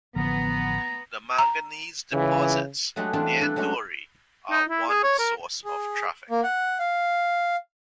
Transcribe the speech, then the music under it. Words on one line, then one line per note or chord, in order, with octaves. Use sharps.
The manganese deposits near Dori are one source of traffic.
A1 D3 F3 B3 A#5
A#5
C#2 C#3 E3
F#3 G#3 A3 D4 G4 G#4
E3 G3 C4 D4 F4
G3 D4 G4 A4 B4
F#3 G#3 A3 C#4 D4
D#4
E4
G#4
C#5
A#4
G#4
A#3
F#5
F5